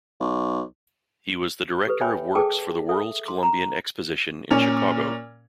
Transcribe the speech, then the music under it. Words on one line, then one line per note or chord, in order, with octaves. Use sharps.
He was the Director of Works for the World's Columbian Exposition in Chicago.
B1
G4 A4 B4
C#5 E5 G5 G#5 B5
G#4 A4 B4 G5 A5 D6
A4 E5
C6 D6
A#5
A#2 C#4